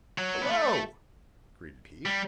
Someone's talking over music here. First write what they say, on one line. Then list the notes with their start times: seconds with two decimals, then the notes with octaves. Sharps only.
"Hello!" greeted he.
0.18 F#3
0.42 B3
0.50 A3
2.06 G3